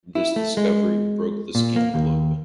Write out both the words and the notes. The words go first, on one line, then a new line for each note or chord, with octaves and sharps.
This discovery broke the scandal open.
E4
A3
G#3
A#2
A#3
D#2